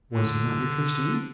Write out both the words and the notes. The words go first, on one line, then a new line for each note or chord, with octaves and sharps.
'Was he not your trustee?'
D3